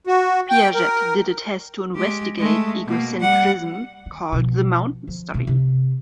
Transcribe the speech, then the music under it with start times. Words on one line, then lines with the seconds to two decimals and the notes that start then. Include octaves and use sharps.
Piaget did a test to investigate egocentrism called the mountains study.
0.07 F#4
0.50 G5
0.75 A#4
1.96 G#3 G4
2.38 G#3 A3
2.87 B2 A#3
3.19 G3 F#5
4.06 D#3
4.32 B2 F3
5.07 F3
5.34 B2 A3
5.47 C3